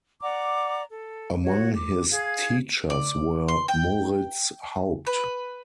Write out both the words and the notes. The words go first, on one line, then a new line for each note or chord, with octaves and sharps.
Among his teachers were Moritz Haupt.
D5 F#5 A#5 D6
A4
F#4 C#5
D6
G#4 F5 G#6
D5
C6
G5
B4